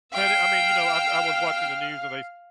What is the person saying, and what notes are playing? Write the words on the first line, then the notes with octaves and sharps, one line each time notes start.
And it I mean, you know, I I was watching the news, and they s
F5 G5 E6